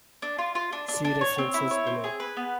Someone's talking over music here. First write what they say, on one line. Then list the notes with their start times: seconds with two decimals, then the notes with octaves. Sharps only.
See References below.
0.22 D4
0.39 F4
0.55 F4
0.73 D4
0.88 D4
1.05 D4
1.21 C#5
1.38 C4
1.54 E4
1.71 C#5
1.87 C4
2.04 G#4
2.20 B4
2.37 B3